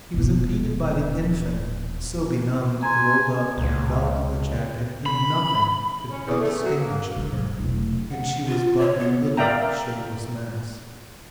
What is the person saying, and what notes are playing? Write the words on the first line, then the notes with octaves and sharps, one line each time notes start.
He was impeded by the infant, so benumbed, rolled up and enveloped in the jacket that nothing could be distinguished of her, and she was but a little shapeless mass.
D#1 B2
G#5 A#5 C6
C#2
B5
C#4
E2
A3
F#3
A#3
D3 G#3
C3 F#3
E1 A3
F#5
F4
C#5
B3
A#4 D5 E5 F5 G5 A#5